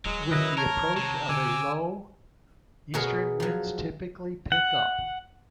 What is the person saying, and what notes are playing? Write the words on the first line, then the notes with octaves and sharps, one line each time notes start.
With the approach of a low, easterly winds typically pick up.
D#1 F#3 G#3
F#2 D#3 E4 B4 D#5
A#4 C#5 A5 A#5
C3
D3 G#5 D6 E6
B2 F#4 G#4 A#4 C#5
F3 F#3
F#5